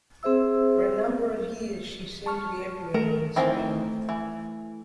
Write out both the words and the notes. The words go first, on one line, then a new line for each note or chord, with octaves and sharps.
For a number of years, she seemed to be everywhere on the screen.
C4 G#4 C5 E5 E6
A5 C#6 F6
A3 A#4
D#3 E3 C4
E3